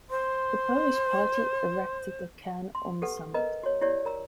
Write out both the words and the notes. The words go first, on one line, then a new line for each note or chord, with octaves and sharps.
The Polish party erected a cairn on the summit.
C5 C6
C6
G4 A4 B4 F#5
A#4 B4 D#5 A#5
F#4 C#5
E4 G4 C#5 D5
A#4 A#5 E6